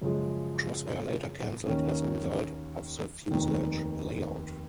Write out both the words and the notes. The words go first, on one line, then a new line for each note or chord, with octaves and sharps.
Crossair later cancelled as a result of the fuselage layout.
F#2 C#3 F3 G#3
D#2 D#3 A#3 C#4
F1 D#2 D#3